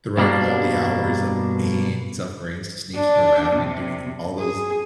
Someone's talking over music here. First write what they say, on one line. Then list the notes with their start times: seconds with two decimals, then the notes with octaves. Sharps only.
throughout all the hours of pain, suffering, sneaking around and doing all those
0.17 G2 B2 G3 A#3 D4
2.95 D4
3.55 C3
4.38 G#4